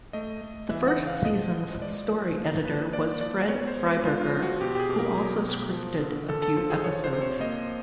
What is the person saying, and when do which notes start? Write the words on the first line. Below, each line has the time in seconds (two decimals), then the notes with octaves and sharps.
The first season's story editor was Fred Freiberger, who also scripted a few episodes.
0.13 A3 D#5
0.41 A3
0.69 E3 E5
0.88 F#5
0.98 C#3
1.07 F5
1.25 F3 D#5
1.53 F3
1.81 G#3 D5
2.09 F3
2.37 A#3
2.65 F3 B4
2.93 A#3 D5
3.21 F3 D5
3.49 B3 C#5
3.67 C5
3.77 G#3
3.86 B4
4.05 G#3 F4
4.24 F4
4.32 F3
4.42 F#4
4.61 B2 G4
4.75 G4
4.79 G#4
4.89 B2
4.99 A#4
5.17 F#3
5.45 B2
5.73 F3
6.00 D3
6.29 D3 A4
6.42 A4
6.56 F3 A4
6.70 G#4
6.84 F3 C#5
7.04 C5
7.13 C3
7.22 C#5
7.40 A#3 D#5